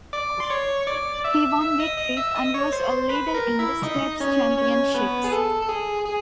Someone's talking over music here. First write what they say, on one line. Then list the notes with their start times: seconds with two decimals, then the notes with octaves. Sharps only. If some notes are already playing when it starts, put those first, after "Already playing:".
He won victories and was a leader in the steps championships.
0.13 D5 D6
0.40 C6
0.50 C#5 C#6
0.87 D5 D6
1.24 E5 E6
1.61 E5 E6
1.80 D#5 D#6
1.98 D#5 D#6
2.17 E5 E6
2.31 E6
2.35 D#5 D#6
2.54 C#5 C#6
2.72 C5 C6
2.90 C5 C6
3.09 B4 B5
3.34 A#4 A#5
3.59 E4 E5
3.83 D#4 D#5
4.20 C#4 C#5
4.58 C#4 C#5
4.94 B3 B4
5.24 G#4
5.32 A4
5.63 A4
5.69 G#4
6.06 G#4